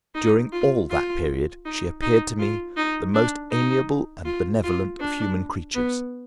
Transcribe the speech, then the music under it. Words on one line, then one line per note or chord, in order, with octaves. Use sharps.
During all that period she appeared to me the most amiable and benevolent of human creatures.
D#4
F4
F4
D#4
D#4
F4
D#4
D4
D#4
F4
F4
D4
B3